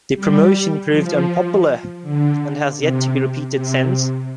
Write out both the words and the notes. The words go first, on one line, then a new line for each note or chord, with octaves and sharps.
The promotion proved unpopular, and has yet to be repeated since.
G3
F3
D3
C3
C3